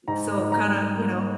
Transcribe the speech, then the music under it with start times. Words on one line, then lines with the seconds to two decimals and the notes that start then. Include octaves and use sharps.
So, kinda, you know
0.08 G#2 A#5
0.38 G#2
0.52 A#5
0.68 G3
0.98 A#3